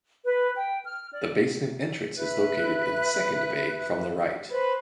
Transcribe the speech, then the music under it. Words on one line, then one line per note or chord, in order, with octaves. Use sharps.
The basement entrance is located in the second bay from the right.
B4
G5
F6
D5
B4 E5 F#6
B4 C5 B5